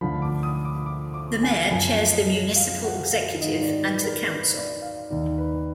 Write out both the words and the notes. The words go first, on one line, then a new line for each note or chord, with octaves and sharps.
The mayor chairs the municipal executive and the council.
D2 D3 F3 B5
D6
D#6
D6
D6
D6
G#5
F#2 F3 G#5
D#5
F5
F#5
F5
G#2 D#3 D#5
D5
B4
A#4
B4
D5
F5
D#2 D#3 D5
B4